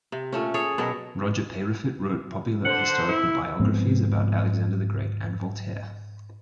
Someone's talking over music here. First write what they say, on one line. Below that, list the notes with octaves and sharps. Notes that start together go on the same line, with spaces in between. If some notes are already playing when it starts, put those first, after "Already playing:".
Roger Peyrefitte wrote popular historical biographies about Alexander the Great and Voltaire.
C3
A#2 A3 C#4
G#4 A4 C#5
B2 F#3 A#4
D3 C5 F#5
E4
G#2 F3 B3 C4